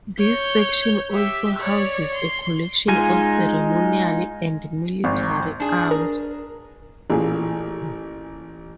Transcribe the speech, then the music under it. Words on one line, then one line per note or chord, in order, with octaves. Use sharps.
This section also houses a collection of ceremonial and military arms.
C#5 G6
G4 E5
C#5 D5
C6
G#3 D#4 F4 G#5
G#1
D4 G#4
A#4
A1 A#2 G#4